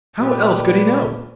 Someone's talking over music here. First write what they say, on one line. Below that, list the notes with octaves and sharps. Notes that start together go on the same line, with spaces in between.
How else could he know?
A#2 G4 B4 D5